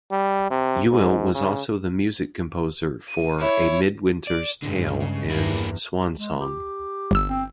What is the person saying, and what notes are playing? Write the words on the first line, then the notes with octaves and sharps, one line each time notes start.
Yuill was also the music composer for "A Midwinter's Tale" and "Swan Song".
G3
C3
G#2
C#3
D#7
E4 C#5
D5
B1 G2 D3 G#3
C#3
E2 G2 A#3 E4
G#3
G4
G1 E6
C4